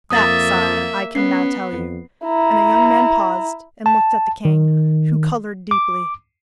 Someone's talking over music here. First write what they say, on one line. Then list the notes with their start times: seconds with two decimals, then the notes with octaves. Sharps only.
That, sire, I can now tell you,' and the young man paused and looked at the king, who coloured deeply.
0.10 F2 A#3 E5 D#6 A6
1.15 B3 C#4 C7
1.73 F2
2.25 E4 A#5
3.86 A5
4.45 D#3
5.71 D6